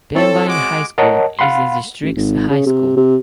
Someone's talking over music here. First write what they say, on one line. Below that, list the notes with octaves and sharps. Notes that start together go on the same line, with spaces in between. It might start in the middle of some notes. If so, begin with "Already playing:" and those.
Pembine High School is the district's high school.
C4 E4 A4 C#5
G#3 F#4 D6
A#4 C#5 D#5 F#5 A5
F5 F#5 B5 C6
A1
G#1
C#3
C3
C3